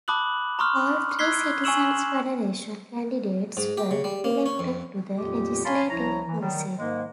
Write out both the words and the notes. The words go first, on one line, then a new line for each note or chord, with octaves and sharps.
All three Citizen's Federation candidates were elected to the Legislative Council.
A5 B5 D6 D#6 F#6 F#7
A#5 C6 C#6 D#6 F6
E6 F#6 G#6 B6 C7 G7
G#5 C#6 E6 E7 F#7
G#2
G4
C#3
G3
A#3
C#4
F2
F2 A#2 F#3 G#3 G4
C#5 F5 G#5 A5 B5 C6
C2 F3 E4 C#5 A#5
E3
D#3 F#3 G3
G#2 D#3 G#3 A#3